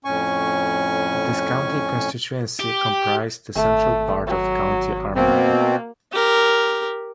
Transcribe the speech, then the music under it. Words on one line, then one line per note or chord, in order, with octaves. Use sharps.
This county constituency comprised the central part of County Armagh.
F2 A2 C#4 G#5 C#6
G4
G#1 A3
F#3
B2 A#3 C4
G4 A#4